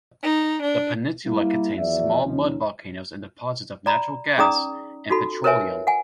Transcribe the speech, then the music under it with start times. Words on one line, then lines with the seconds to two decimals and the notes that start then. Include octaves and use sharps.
The peninsula contains small mud volcanoes and deposits of natural gas and petroleum.
0.22 D#4
0.61 D4
1.26 G3 A#3 E4
1.78 E2 F3 F#3 D5 E5
2.24 D#2 F3 C#4 D#4
3.86 D5 A#5 B5
4.38 C#4 D#4 G#4 D5 A#5 D#6
5.10 D#4 F4 F#4 A4 B5
5.44 A#4 B4 C#5 E5 G#5 A5
5.87 F#5 G#5